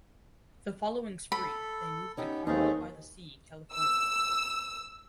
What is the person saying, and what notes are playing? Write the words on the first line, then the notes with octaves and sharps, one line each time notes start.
The following spring they moved to Carmel-by-the-Sea, California.
A4 B5
B3 C#4 D#4 G4
D#2 E3 G#3 A3 C4 D#4 G#4
E6